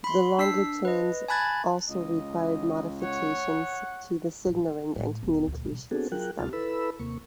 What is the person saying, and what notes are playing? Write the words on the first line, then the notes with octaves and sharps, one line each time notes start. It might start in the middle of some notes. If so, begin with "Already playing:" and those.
The longer trains also required modifications to the signalling and communication system.
B5 C6
D4 E6 B6 C7
B4 D#5
G#5 A5 B5 F#6 G#6 A6
C#2 D#5
C#5 F#5
A2 F#3
F1
A2 G#3
E1 B3
D2 A#2
B2 G3
B3 C4 D4 F#4 G#4 A4
F#3 F4 G#4 A#4 G5 F#6
D2 C3 F4 A5 F6
E4 A4 B4 B5 E6
D#2 C3 A#3 C#6